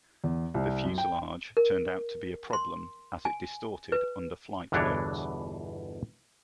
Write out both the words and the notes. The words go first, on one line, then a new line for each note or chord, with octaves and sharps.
The fuselage turned out to be a problem, as it distorted under flight loads.
E2
C2
F#2
G5
A#4
C6
G#5
B4
G1 E2 B2 E3 D4 C#5